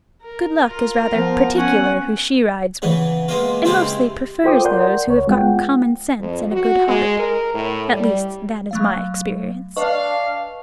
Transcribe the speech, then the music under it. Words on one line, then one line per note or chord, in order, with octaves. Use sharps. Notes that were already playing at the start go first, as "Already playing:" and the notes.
"Good Luck is rather particular who she rides with, and mostly prefers those who have got common sense and a good heart; at least that is my experience."
A#4
F4 A#4
F3 B3
C#4 F#5 G#5
C#3 E3 B3
G#3 A#3 B3 F4
C#3 G#3 C4 E4 F4 G4
F4 A4 C5 G5 D6 D#6
A#4 D5 F#5 C6 G6
C#2 C#5
G#3 B3 F4 F#5 G5
F2
F#4
G#3
A#4
A2
G3
F#3 A3 F5
D4 B4 D#5 F5 C#6